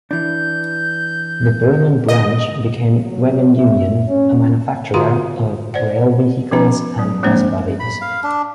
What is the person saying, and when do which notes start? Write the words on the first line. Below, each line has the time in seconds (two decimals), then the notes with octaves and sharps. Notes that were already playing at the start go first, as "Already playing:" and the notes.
The Berlin branch became Waggon Union, a manufacturer of rail vehicles and bus bodies.
0.11 E3 D4 G6
2.09 D#5
3.03 F#3
3.56 E5
4.08 C#4
4.94 D3 F4 F#4 F5 A#5 C6
5.74 C5 D5 F#5
6.51 F3 B3 C#4 D#4 A#5
6.99 F#3
7.23 F3 G#3 A#3 C4 D4 C5
7.80 B5
8.01 F5
8.23 D4